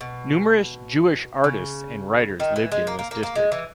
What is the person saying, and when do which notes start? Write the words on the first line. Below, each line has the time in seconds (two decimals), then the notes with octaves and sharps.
Numerous Jewish artists and writers lived in this district.
0.01 B2
1.44 C#3
2.40 D#3
2.56 E3
2.72 G#3
2.87 A#3
2.99 A#3
3.11 A#3
3.23 A#3
3.35 G#3
3.52 E3